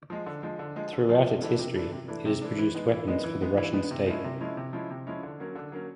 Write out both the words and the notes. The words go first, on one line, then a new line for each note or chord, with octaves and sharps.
Throughout its history, it has produced weapons for the Russian state.
F3 G#3
D3
F3 G#3
D3
F3 G#3
D3
F3 G#3
C3
E3 A3 D4
C3
E3 A3 D4
C3
E3 A3 D4
C3
E3 A3 D4
E3
G#3 B3 D#4
E3
G#3 B3 D#4
E3
G#3 B3 D#4
E3
G#3 B3 D#4
C3
F3 G#3 C#4 E4
C3
F3 G#3 C#4 E4
C3
F3 G#3 C#4 E4
C3
F3 G#3 C#4 E4
D3
F#3 A#3 C#4
D3
F#3 A#3 C#4